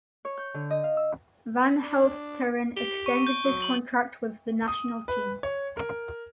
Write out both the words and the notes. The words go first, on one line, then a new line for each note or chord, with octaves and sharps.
Van Helfteren extended his contract with the national team.
C#5
G6
D3
D#5
F5
E6
D4
G4 G7
C#6
G6 D7
F#3
F#7
D#6
B4
C#5
A#4